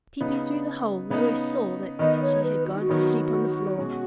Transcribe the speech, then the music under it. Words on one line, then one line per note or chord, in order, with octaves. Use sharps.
Peeping through the hole, Lois saw that she had gone to sleep on the floor.
C#3 B3 D#4
C#3 B3 D#4
D#3 B3 D#4 D#5
C#5
B4
F#4
D#4
F#4
D#3 F#3 B3 D#4
B2 G#3 C#4 F#4